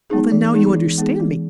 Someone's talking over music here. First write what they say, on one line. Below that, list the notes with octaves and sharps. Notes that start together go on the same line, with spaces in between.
Well then, now you understand me.
G#3 B3 D#4 G#4
E3
G#3 B3 D#4 G#4
E3
G#3 B3 D#4 G#4
E3